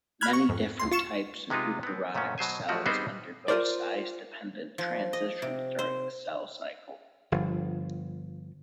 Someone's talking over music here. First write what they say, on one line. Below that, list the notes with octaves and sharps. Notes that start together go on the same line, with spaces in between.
Many different types of eukaryotic cells undergo size-dependent transitions during the cell cycle.
B5 F6 F#6 G#6
C#6
F2 G#2
C#2 C6
F4 C#6 E7
C3 G#3 B3 D#4 F4
B3 C4
F#2 A#2 A3 B3 C#4
B2 F#3 C5 G#5
F3 F#3 A3 F#4 G4
G3 B3 C4 D#4 G#4 C5
F4 F#4 A#4 C5 D5
F3
D#5
C3
C5
G1 F3